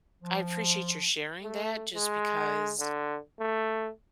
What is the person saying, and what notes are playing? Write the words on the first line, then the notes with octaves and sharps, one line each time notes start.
I appreciate your sharing that just because,
F3
A3
G#3
D3
A3